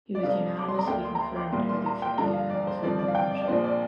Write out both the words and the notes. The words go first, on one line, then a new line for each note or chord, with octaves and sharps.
He was unanimously confirmed by the Executive Council of New Hampshire.
D5
F2 C3 G3 D4 F5
D6
C6
A#5
D2 D3 A#3 G5
C6
A#5
C6
D6
C2 A#2 G3 A#3 C6
C6
A#5
G5
G2 D3 F3 D4 A#5
F5
D5
C5
G2 D3 F3 C4 D5
D5
F5
G5
D5
D5
A#1 A#2 F3 D4 C5
D5